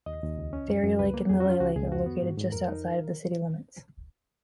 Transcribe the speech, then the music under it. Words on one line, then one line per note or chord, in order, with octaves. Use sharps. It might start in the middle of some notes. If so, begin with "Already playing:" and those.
Fairy Lake and Lily Lake are located just outside of the city limits.
D#2 D#5
D#2
C#2
C#4
F#2
F#2
C#2 B4
A#3
F2 G#4
F#4
C#4 F4
C#2 F#4
C#2 G#4
F2 F#4
B3
G#2
G#2
F2 A#4
D#4